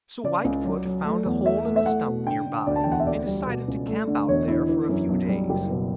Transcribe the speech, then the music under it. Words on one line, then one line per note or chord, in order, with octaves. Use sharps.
So Whitefoot found a hole in a stump near by and decided to camp out there for a few days.
C#3 D5
C#2
F#3
F#3
A3
E2
A3 E5
A3
E5
A3 F#5
B2
D3 G5
D3
D2 D5
A5
E1 G5
F#5
E5
D2 D5
G3
B2
C#2
A3
D3
E1 C#5
D3 E4
E3
F#2
B1
G3
F#1 G4
B2